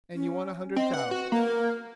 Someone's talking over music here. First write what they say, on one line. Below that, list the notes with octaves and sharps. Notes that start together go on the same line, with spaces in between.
And you want a hundred thousand.
C#4
C4 D#5
B4 F#5
F#4
A#3 A#4